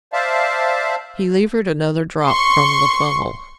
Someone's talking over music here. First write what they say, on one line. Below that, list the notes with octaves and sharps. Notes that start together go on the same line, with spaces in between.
He levered another drop from the funnel.
C5 D5 E5 F5 A5
C6 C#6